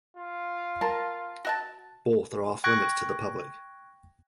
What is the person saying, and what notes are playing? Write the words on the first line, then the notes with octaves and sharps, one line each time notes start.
Both are off limits to the public.
F4
C4 A#4 A5
F#4 E5 A5
G5 C#6 F#6 G#6 A#6